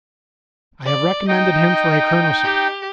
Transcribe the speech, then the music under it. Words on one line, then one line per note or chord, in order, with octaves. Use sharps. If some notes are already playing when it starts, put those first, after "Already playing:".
I have recommended him for a colonelcy.
D5
D#4 D#5 G5
G4